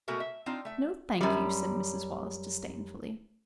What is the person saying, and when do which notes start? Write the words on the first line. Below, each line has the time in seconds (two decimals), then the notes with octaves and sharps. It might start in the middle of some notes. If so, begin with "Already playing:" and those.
"No, thank you," said Mrs. Wallace disdainfully.
0.08 B2 G#3 A3 F#4 A#4
0.20 E5
0.46 C4 D4 D#4 F4
0.65 A3 E5
1.21 F#2 G3